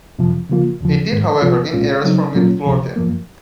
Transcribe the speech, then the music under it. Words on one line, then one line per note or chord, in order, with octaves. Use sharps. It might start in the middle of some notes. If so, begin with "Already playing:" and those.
It did however gain areas from Midlothian.
F2 C3 F3
C#3 F3 A#3 F4
D#2 C#3 F3
G#2 D#3 G#3
C2 C3 F3 C4 F4
C2 A#2 G#3 C#4 F4
C#3 F#3 C4 D#4
A#2 F#3 A#3 C#4 F4
C#2 C3 F3
F#2 F3 A#3